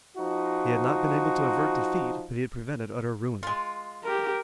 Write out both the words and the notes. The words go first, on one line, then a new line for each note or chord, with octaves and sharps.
He had not been able to avert defeat, but he had prevented utter ruin.
F3 D#4 F#4
G#3 F4
G4 A#4